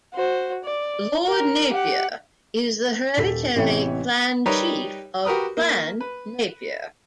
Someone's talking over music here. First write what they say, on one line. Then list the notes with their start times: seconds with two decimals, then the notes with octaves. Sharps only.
Lord Napier is the hereditary Clan Chief of Clan Napier.
0.14 F#4 C5
0.64 D5
1.25 A#4
1.70 G4 F#5
3.17 D#1 G4 A4 B6
3.56 A1 C3 E3 B3 C#5 G5
4.46 G3 D#4 G4 A#4 B4 C#5
5.25 F#4 G4 A#4 B4 D#6
5.57 A#3
6.01 B4